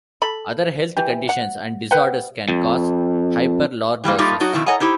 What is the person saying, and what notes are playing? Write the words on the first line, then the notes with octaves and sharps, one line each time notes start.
Other health conditions and disorders can cause hyperlordosis.
A4 B5
E3 G4
F#5
B4 F#5 G5
F2
E3 G3 G#3 A#3
G3 A3 A#3 D#4 F4 G4
F#3 D#4 F#4
F2 B2 D#3 E4
A4 C#5 D#5 F#5 G#5 A#5
D#4 E4 G4 C5